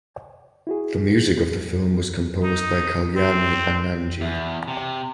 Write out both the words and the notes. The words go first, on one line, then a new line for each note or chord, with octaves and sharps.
The music of the film was composed by Kalyanji Anandji.
E4 F#4 G#4
D#4
C4
E2
C3